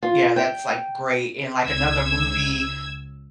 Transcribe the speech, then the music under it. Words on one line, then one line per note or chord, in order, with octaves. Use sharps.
yeah, that's, like, great. And, like, another movie
F4
G5
C#2 E6 G#6